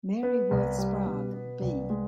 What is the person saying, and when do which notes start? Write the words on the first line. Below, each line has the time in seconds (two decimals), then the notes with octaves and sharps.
Mary Worth Sprague - B.
0.23 B3 B4
0.51 C2
0.78 G3
1.06 B2
1.34 B3
1.62 C2
1.90 G#3